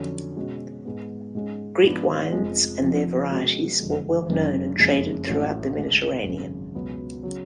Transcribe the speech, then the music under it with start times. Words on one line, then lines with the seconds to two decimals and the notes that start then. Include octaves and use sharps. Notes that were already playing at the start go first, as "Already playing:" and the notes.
Greek wines and their varieties were well known and traded throughout the Mediterranean.
Already playing: F2 D3 F#3 C#4
0.37 B2 G#3 C#4 F#4
0.85 G#2 G#3 B3
1.35 G#2 G#3 C#4
1.83 G#2 F3 B3 D4
2.32 F1 F2 F3 G#3
2.82 F1 F2 F3
3.31 B2 G#3 C#4 F#4
3.79 F#1 F2 D3 G#3
4.29 F#1 F#2 C#3 G#3 D4
4.78 F#1 F2 C#3 G#3
5.27 A1 A2 F#3 A3 C#4
5.76 D2 D3 G#3 D4
6.26 G#1 F#2 C#3
6.75 C#2 B2 F#3 B3
7.23 C#3 F#3